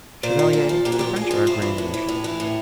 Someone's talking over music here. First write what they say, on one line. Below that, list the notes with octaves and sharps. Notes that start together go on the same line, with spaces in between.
Chevalier, the French are a grand nation.
A#2 C5
F3
A#2
F3
A#2 G4
F#4
F3 G4
A#2 G#4
F3
A2 C5
E3
A2
E3
A2
E3
A2